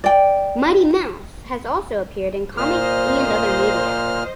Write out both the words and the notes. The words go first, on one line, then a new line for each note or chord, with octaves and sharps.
Mighty Mouse has also appeared in comics and other media.
D5 G5
A#2 C5 D#5 F6